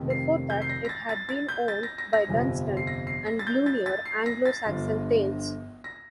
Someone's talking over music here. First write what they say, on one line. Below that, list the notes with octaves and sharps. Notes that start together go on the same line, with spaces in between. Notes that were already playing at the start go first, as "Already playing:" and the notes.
Before that it had been owned by Dunstan and Glunier, Anglo-Saxon thanes.
Already playing: F1 F2 C3 D#3
C7
G6
C7
A#6
A#6
A6
A6
A6
G6
A6
A#6
A#6
A#6
G1 F2 C3 F3
C7
A#6
C7
A#6
A6
G6
A6
A6
C7
A#6
A6
G1 G2 D3 F3
A#6